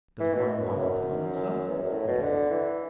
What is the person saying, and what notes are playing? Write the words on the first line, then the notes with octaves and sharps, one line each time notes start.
"Does one want to own soot?" he asked.
E3
B2
F#2
E2
F#2
F#2
E2
F#2
A2
B2
D3
E3